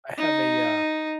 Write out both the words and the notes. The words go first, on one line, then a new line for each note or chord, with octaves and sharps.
I have a, uh
D#4